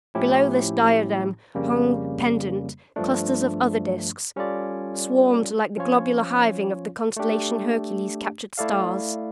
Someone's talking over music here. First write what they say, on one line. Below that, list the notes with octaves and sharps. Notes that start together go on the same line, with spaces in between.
Below this diadem hung, pendent, clusters of other disks, swarmed like the globular hiving of the constellation Hercules' captured stars.
A2 F3 C#4 E4 G4
F2 C#3 G3 A#3 C#4
G2 F3 A3 D4
G3 C#4 F4 A4 D5
F3 C#4 F4 C#5
A3 D4 G4
A3 E4 A4 D5 F5